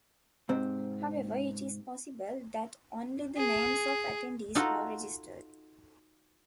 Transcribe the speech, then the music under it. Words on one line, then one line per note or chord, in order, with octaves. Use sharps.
However it is possible that only the names of attendees were registered.
G#2 C3 C4
G#4
D#4 F4 F#4 A4